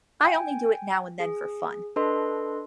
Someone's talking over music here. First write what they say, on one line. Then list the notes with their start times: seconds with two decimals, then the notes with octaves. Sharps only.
I only do it now and then for fun.
0.25 G5 G#5
1.20 G#4
1.96 D4 A4 B4 D#5 C6